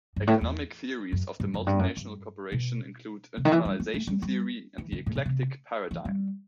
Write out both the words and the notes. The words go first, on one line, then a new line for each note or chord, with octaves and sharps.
Economic theories of the multinational corporation include internalization theory and the eclectic paradigm.
G2
A2
E2
F#2
G2
F#2
G2
F#2
G2
B2
C3
D#3
E3
G3
B3
A3
G3
G3
E3
D#3
A2
B2
C3
E3
G3